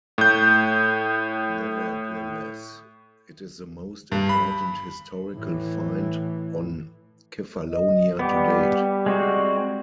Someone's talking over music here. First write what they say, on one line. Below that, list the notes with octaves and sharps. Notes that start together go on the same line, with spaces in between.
Nevertheless, it is the most important historical find on Kefalonia to date.
A2 G6
G2
B5
A2 E3
D#5
G3 B3 G4
G#3 C4 F#4